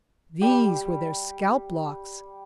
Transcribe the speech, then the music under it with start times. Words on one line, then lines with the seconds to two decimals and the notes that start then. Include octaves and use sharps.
These were their scalp locks.
0.42 G3 G4